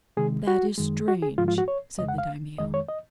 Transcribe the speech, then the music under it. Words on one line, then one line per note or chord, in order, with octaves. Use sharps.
"That is strange!" said the Daimio.
C3 D#3 G#3 G#4
F#4
F#2 D#3 G#3
F#4
G#4
G#2 F3 G#3 F4
F4
F#4
C#5
F2 C#3 G#3 D#5
F#5
F5
F2 D#3 G#3 D#5
C#5
D#5